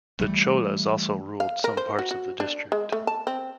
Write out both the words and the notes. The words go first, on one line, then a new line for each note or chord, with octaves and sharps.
The cholas also ruled some parts of the district.
E3 F3 G3 A3
F5
A#4
C5
F#4
F#4
D4
G#3
A3
A5
C4